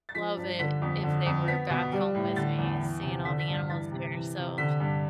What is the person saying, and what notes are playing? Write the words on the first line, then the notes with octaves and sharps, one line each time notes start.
love it if they were back home with me, seeing all the animals there." So,
A6
F3 B6
G2
D3 B6
F2
D3
F2
B3 B6
B2
G3
A2
D3 A6
E2
E3
C3
D3 B6
B6
G2
F6
E3 A6
C3
E3
C3
D3 B6
G2